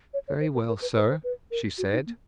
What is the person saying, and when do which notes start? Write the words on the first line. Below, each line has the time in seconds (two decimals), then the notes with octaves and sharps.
"Very well, sir!" she said.
0.14 C#5
0.28 C#5
0.41 C5
0.55 A#4
0.68 A#4
0.82 B4
0.95 B4
1.10 C5
1.24 B4
1.51 A#4
1.78 F#4
1.92 D#4
2.06 A#3